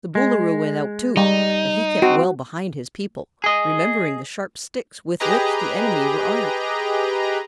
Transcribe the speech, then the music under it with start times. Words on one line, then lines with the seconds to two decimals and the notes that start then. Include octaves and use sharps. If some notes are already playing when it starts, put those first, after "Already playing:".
The Boolooroo went out, too, but he kept well behind his people, remembering the sharp sticks with which the enemy were armed.
0.15 G#3
1.17 G3 D#4
2.02 C4 F#4
3.44 G#4 D#5
5.20 G4 G#4 B4 D#5 A#5